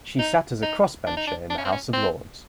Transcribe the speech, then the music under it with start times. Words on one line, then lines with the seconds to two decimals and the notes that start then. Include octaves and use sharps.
She sat as a cross-bencher in the House of Lords.
0.19 D#4
0.63 D#4
1.07 D4
1.17 D#4
1.27 D4
1.50 D4
1.58 C#4
1.65 C4
1.72 C#4
1.93 C4